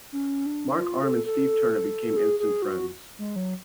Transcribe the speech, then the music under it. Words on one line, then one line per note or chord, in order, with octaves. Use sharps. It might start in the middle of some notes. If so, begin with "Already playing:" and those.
Mark Arm and Steve Turner became instant friends.
C#4
D4
F4
A4
A4
G#4
G#4
F#4
G#3
F#3